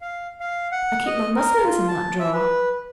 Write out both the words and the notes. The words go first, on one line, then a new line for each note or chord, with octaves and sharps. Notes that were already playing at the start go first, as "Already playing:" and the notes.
I keep my muslins in that drawer.'
F5
F5
F#5
D#5
A#4
F4
A5
E5
B4